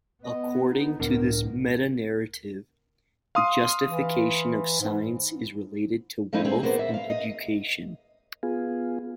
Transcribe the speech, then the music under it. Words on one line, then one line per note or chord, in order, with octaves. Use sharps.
According to this metanarrative, the justification of science is related to wealth and education.
B3 D#5
D#4
C#2 A2 D4 A#4
F5 C6 D#6
E3
G#2
F3 G#3 A3 C4 D#4 E4
C4 G#4
A#3 B3 G#4 C5
E5
F5
D#5
B3 F4 G#4